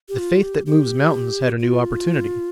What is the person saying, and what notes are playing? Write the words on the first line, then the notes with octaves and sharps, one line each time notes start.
The faith that "moves mountains" had a new opportunity.
G4
F4
G4
G4
F4